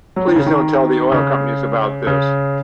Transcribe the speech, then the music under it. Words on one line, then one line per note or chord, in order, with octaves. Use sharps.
Please don't tell the oil companies about this.
F#3
D#3
C#3
D#3
C#3
C#3